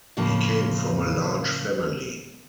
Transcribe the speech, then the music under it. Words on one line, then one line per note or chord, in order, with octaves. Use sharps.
He came from a large family.
A2 C#3 F3 A#3